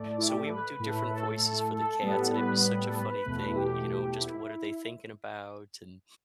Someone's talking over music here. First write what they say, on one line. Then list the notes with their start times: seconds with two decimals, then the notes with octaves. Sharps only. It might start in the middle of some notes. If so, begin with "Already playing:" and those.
So, we would do different voices for the cats, and it was such a funny thing, you you know, just what are they thinking about, and
Already playing: A2 A3 D5
0.18 E4
0.28 G4
0.38 A4
0.48 B4
0.79 A2 A3
1.10 A4
1.72 A4
2.02 A2 G3 B3
2.33 B4
2.83 A4
2.95 B4
3.10 B4
3.25 E2 B2 A3
3.48 E4
3.55 G4
4.17 E4